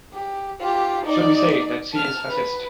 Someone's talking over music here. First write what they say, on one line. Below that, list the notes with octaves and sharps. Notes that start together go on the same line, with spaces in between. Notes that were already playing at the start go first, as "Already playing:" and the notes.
Should we say that she is Fascist?
G4
F4 G4
D#4 D5
A5 F6
B4